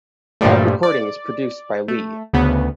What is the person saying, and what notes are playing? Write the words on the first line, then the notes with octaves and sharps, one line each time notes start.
All recordings produced by Lee.
G2 A#2 D3 F3 G3 A3
D5
A3
D2 C#3 B3